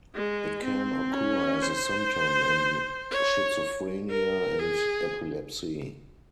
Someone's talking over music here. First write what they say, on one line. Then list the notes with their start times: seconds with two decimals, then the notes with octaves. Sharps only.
It can occur as a symptom in schizophrenia and epilepsy.
0.15 G#3
0.64 C4
1.13 C#4
1.63 C5
3.11 C#5
4.09 A#4
4.59 G#4